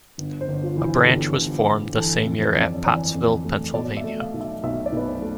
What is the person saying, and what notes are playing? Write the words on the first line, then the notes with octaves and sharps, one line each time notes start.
A branch was formed the same year at Pottsville, Pennsylvania.
G1
C5
G1
F4
E3 E4
F4
A4
G1 G4
G1
G1
E3 A4
F2
C5
F2
D5
E3 D5
F2
A3
B2 D5
E5
A3
F5
B1
E5
B1 E5
D5
B1 B4
C5
A3